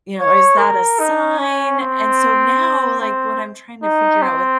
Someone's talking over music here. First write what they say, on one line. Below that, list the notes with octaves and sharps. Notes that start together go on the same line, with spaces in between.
you know is that a sign?" And so, now, like, what I'm trying to figure out with
C#5
A#4
D#4
C#4
C4
C4
D#4
C4